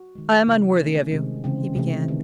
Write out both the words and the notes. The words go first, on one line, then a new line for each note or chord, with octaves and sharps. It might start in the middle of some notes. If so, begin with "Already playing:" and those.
"I am unworthy of you," he began.
Already playing: F#4
D#3 G#3
C3 E3 G#3 E4
D#3 A3 C#4
C3 D#3 G#3 C4
C#3 E3 G#3 C4
C3 E3 A3
D#3